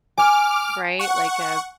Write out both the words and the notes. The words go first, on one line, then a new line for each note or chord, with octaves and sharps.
Right, like a
G#5 D6 F6
F#5 C#6